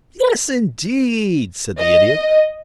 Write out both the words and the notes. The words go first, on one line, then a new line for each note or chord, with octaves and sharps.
"Yes, indeed," said the Idiot.
D#5